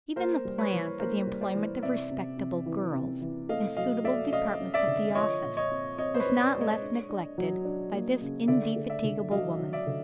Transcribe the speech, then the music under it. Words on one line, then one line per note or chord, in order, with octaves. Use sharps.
Even the plan for the employment of respectable girls, in suitable departments of the office, was not left neglected by this indefatigable woman.
A#3 A#4 C5
G3
B4 C#5
E3
A#3 A#4 C5
G3
C5 D5
E3
C3 D5 E5
C3
C3
E3
C3
E3
A3 D#5 F5
F#3 D#5 F5
A3 D5 E5
C#4 D#5 F5
C#4
D5 E5
D3
F3 C#5 D#5
A#2
C#5 D#5
C4
C4 C#5 D#5
C5
B4 C#5
C4
C5 D5
G#3
C#5 D#5
D4
D4
F#3
D4
A#3
C#3
D3 D5 E5
A3
D5 E5
D3
F#3 D#5 F5
F#3
D5 E5
D3